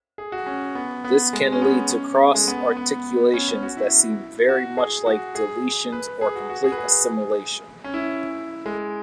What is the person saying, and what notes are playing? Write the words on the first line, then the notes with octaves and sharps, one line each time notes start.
This can lead to cross-articulations that seem very much like deletions or complete assimilation.
G#4
F#4
C#4
B3
B3
G#3
C#4
B3
C#4
G#3
B3
B3
C#4
C#4
F#4
E4
F#4
G#4
F#4
G#4
B4
G#4
F#4
F#4
G#4
B4
G#4
C#4
E4
G#3